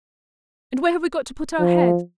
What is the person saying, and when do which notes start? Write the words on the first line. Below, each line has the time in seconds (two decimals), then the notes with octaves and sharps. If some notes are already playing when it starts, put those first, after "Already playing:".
And where have we got to put our heads?
1.59 F3